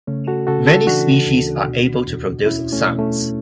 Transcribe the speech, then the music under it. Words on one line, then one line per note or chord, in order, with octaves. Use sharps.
Many species are able to produce sounds.
C#3 A3 C#4
F#4 A4
C#3 F#4 A4
F#4 A4
E3 D4 F#4
D2
B2
E2
B2 C#4 E4
A3 C#4
B2
A3 C#4